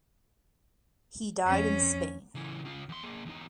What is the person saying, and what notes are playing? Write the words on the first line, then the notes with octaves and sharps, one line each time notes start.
He died in Spain.
F2 C#4
C#3 E3
C#3 F4
E2 C6
A#3 G#4
E2 D#4